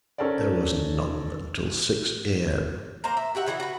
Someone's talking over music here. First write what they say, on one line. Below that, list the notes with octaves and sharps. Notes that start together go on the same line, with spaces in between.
There was none until six A.M.
C#4 A4 A#4 C5 D5
A#3 C5 A#5
E5
F#4 G4 E5 F#5
C#3 E3 E4 F#5
F#4 B4